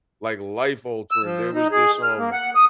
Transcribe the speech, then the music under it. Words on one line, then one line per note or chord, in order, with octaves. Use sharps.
like, life altering, there was this, um
E6
F3
D#4
G#4
F6
A#3
F#5
D#6